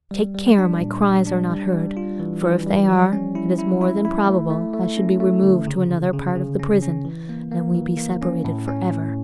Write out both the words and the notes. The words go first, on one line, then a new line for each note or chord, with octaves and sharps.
Take care my cries are not heard, for if they are it is more than probable I should be removed to another part of the prison, and we be separated forever.
G3
G3
D4
A#2
G3
D4
G3
G3
F4
E3
E3
G3
F3
C#4
E4
E4
E4
E4
A3
A3
A3
C#4
A3
D3
C#3
C#3
C#3
C#3
C#4
C#4
E3
A#3
A#3
E3
A#3
C#4
A2
C#4
A2